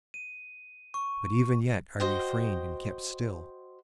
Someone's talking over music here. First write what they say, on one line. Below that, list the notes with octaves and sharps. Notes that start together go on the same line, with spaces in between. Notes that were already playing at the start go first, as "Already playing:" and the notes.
But even yet I refrained and kept still.
D#7
C#6
F#4 C5 D#5 G5